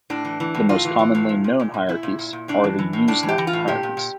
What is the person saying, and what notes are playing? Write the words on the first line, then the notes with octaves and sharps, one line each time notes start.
The most commonly known hierarchies are the "Usenet hierarchies".
A2 D4
E3
E3
A2
A2 F4
E3
E3
A2
A#2
A#2
A#2
A#2
A#2 E4
A#2
A#2
A#2
A2 D4
E3
E3
A2
A2 D4
E3
G4
E3
F4
A2
A#2 G4
A#2
A#2